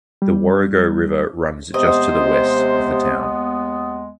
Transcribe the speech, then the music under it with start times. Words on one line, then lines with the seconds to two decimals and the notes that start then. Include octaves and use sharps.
The Warrego River runs just to the west of the town.
0.22 G3
1.74 D#2 C3 G#3 B3 C5 D#5